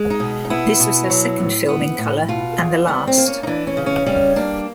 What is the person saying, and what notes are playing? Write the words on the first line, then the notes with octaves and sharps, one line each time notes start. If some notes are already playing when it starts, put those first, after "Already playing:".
This was her second film in color, and the last.
Already playing: G#3
D#4
B2
D#4
B3 E4
B2
F#3
A2
B3
A2
B2 F4
E2
G3 B3
C4
A#3
C#4
D#4
E3 D4
C#4
C#3
C#4
G3 C#4
A#3 D4